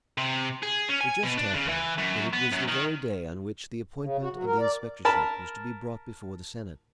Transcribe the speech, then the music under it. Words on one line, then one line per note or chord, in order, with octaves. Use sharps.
It just happened that it was the very day on which the appointment of the inspectorship was to be brought before the senate.
C3
G#4
C#4
G#5
B2
D4
C#3
E3
F#2
B3
F#2
D#3
C#3
F#4
F#3
A#4
D5
A#4 A5 B5